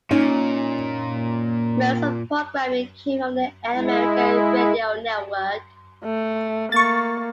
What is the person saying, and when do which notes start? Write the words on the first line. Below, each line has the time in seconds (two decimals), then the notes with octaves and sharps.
Most of the programming came from the Air America Radio Network.
0.11 A#2 C#4 D#4
3.74 G#3 E4
6.04 A3
6.72 A#3 C#6 A6